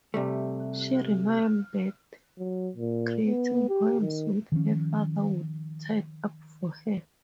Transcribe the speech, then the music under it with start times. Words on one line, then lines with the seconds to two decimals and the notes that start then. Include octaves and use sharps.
She remembered creating poems which her father would type up for her.
0.14 C3 G3 A3
2.38 F#3
2.76 A#2
3.27 B3
3.69 G4
4.01 D#3
4.52 D#3 F3 C4 C#4